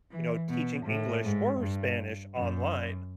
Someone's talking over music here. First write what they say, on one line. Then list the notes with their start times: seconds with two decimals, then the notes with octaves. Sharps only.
you know, teaching English or Spanish online.
0.10 E3
0.49 B2
0.85 A2
1.23 G#2
1.60 G2
2.36 F#2